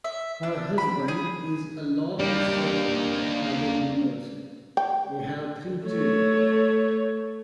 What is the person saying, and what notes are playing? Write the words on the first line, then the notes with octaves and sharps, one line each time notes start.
Her husband is a law instructor at Kabul University; they have three children.
E5
D4
B5
G#4
G3 A#3 D4 G4
G5
A3 C#5